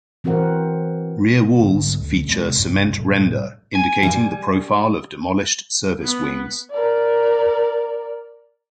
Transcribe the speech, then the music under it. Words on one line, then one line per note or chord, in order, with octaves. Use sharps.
Rear walls feature cement render indicating the profile of demolished service wings.
E3 C4 F#4 A#4 F#5
G#2 D3 B3
D2
C3 G#3 C4
G2 C3
A2 C3 F#3 G3
G#5
G3
B3
A#4 D5